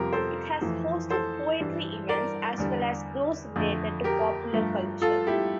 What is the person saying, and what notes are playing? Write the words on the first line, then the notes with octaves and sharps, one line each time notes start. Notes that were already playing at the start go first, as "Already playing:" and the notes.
It has hosted poetry events as well as those related to popular culture.
Already playing: F2 C3 G3 F4 G4 A#4
A4 C5
F2 E3 A3
A4 C5
G2 E3 G3
A#4 D5
E2 D3 G3
F2 D3 A3
G4 A#4
G2 F3 A3
F4 A4
E4 G4